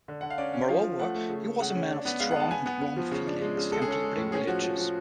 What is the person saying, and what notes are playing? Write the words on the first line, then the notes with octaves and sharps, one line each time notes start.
Moreover, he was a man of strong and warm feelings, and deeply religious.
D3
D3 F#5
F5
C#4 D5
C#4
F3 F5
F3
A3 F#5
A3
C#3
C#3
C#3 F#5
C#4
D4
B3
G#3 F5
F#5
B3 A5
B3 G#5
B3
B3
F3
C#3
D4
G#3
C#3
G#3 A4
G#4
C#4 A4
G#3
A2
C#4 G#4
F3 F#4
F3
F3